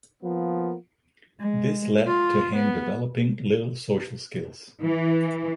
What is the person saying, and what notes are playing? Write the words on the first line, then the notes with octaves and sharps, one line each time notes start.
This led to him developing little social skills.
F3 A#3 B3
G#3
F4
B3
E3